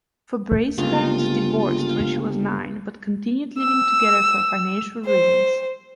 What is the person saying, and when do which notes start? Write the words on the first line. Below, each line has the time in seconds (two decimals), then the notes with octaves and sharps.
Fabray's parents divorced when she was nine, but continued living together for financial reasons.
0.78 G1 C#3 G#3 A#3 F4
3.59 E6
5.06 C5